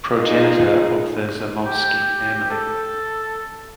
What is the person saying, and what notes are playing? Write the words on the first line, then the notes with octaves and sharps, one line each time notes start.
Progenitor of the Zamoyski family.
D#4 F4 G#4
G4
A4